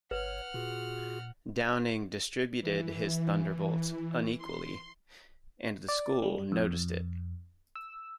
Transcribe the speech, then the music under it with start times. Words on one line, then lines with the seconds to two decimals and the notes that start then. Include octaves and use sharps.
Downing distributed his thunderbolts unequally, and the school noticed it.
0.11 G1 B4 C#5 F#5 F6
0.54 A#2 F4 F#4 G#4
2.61 E3
4.38 C6
5.88 D5
6.23 G3
6.52 F2
7.76 E6